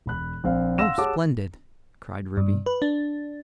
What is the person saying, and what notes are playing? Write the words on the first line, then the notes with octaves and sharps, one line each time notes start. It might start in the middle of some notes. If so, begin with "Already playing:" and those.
"Oh, splendid," cried Ruby.
E1 B5 F#6
A#1 C4 F5
F5 F#5 C6 E6 A#6 E7
G4 G#4 C#5 F#5 A5 D6
G2
B4
D4